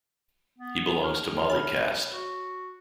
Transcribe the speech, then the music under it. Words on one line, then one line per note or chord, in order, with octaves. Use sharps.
He belongs to Mali caste.
B3
F6
C#5 B5
F#4